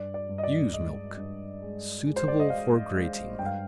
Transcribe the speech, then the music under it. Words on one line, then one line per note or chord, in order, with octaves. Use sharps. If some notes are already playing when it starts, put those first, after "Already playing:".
Ewe's milk; suitable for grating.
Already playing: G2 D5
D5
G2
D#5
D5
G#3 D#5
G2
G#3
G#3
C5
D5
D#5
G#3 F5
G#3
G2 G5
F5